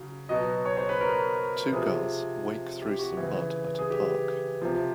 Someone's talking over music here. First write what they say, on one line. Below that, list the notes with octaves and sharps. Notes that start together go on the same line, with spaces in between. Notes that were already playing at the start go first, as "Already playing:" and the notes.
Two girls wake through some mud at a park.
Already playing: C#3 F#3
B2 F#3 D#5
C#5
C5
B4
A#4
C3 F3 G#4
G4
F#4
C#3 E3
G#4
G4
C3 F3